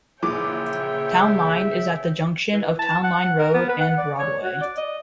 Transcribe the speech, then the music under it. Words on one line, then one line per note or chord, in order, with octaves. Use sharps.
Town Line is at the junction of Town Line Road and Broadway.
A#1 C#3 E3 G#4 C#5 E5 G5 D6
E3
A5
F#5
A#4
B3
B4
F#5
D5
C#5
F#4
D5
D#5